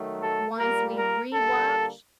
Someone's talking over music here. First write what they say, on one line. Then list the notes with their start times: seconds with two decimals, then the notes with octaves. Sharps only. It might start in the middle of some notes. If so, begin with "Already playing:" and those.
o ones we rewatch
Already playing: D#3 F#3 A3
0.22 A4
0.58 A#2 G3 A#3 A#4
0.95 A#4
1.32 D3 G3 A#3 A4